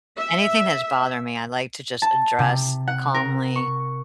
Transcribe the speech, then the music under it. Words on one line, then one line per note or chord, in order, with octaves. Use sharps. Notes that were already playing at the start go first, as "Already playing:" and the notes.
anything that's bothering me, I like to just address calmly
E5
A5
C3
F#5
A#4
C#6